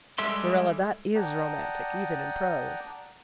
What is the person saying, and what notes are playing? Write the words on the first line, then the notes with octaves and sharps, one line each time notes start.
Marilla, that IS romantic, even in prose.
G3 G#3 A4 E5 C6
D5 F#5 G5 A5 A#5 D#6